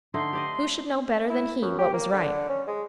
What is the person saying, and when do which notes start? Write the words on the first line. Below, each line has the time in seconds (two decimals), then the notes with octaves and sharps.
Who should know better than he what was right?
0.14 D3 A3 D#4 C6
0.33 G4 D5 D#5
1.29 E4
1.62 F#2
1.78 G4
1.93 A#3
2.12 D3
2.49 C#4
2.67 G#3